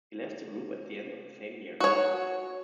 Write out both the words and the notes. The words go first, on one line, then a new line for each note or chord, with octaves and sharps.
He left the group at the end of the same year.
F#4 C#5